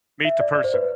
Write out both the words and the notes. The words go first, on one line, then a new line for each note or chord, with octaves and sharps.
meet the person.
E5
D5
D5
C5
B4